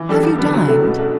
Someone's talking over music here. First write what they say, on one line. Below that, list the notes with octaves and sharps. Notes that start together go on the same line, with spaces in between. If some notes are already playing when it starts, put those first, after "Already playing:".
'Have you dined?
Already playing: E3
G3 D4 A4
E2
D3 G3 B3
F#3
A3 E4 A4
B2
A3 D4